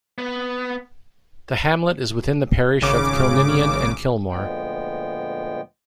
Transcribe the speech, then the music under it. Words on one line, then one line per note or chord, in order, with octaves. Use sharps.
The hamlet is within the parish of Kilninian and Kilmore.
B3
G#1 C#3 D6
D2 A#2 F3 G#3 B3 G5